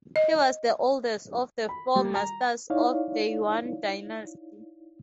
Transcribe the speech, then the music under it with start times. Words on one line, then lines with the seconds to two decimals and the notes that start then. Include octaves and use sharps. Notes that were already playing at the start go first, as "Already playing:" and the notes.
He was the oldest of the Four Masters of the Yuan Dynasty.
0.16 D#5
1.69 B5
1.96 G3
2.15 A#5
2.70 D#4 E4 C#5 D5 F5